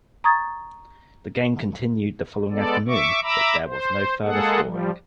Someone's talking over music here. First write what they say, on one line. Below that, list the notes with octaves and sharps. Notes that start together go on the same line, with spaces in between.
The game continued the following afternoon, but there was no further scoring.
A#5 C#6 D#6 G#6 A6
G#3 B3 A4 D5
E5 C#6 D6
E5 A#5 B5 D6 E6
C5
G#3 A#3 G#4 A4 F#5
F3 G3